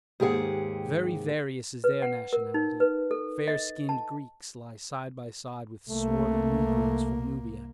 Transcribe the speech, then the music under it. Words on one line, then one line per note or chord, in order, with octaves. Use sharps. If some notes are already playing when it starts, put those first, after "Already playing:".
Very various is their nationality; fair skinned Greeks lie side by side with swarthy negroes from Nubia.
D#2 G#2 G4 G#4 F#5
B4
F#5
A#4
D#4
B4
A4
D#5
A5
C2 A3 A#3